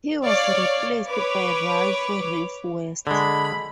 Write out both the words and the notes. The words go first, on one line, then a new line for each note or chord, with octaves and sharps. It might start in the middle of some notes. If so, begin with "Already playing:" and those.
He was replaced by Ralph "Riff" West.
C#5 D5 F5
B4 C#5 D6
D3 G#3 B5